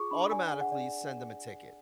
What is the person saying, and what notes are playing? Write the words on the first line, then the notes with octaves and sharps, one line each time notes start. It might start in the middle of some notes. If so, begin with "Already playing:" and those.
automatically send them a ticket."
Already playing: F4 G#4 C#6 D6
D4 B5
D5 G#5
G#4
F#5
D5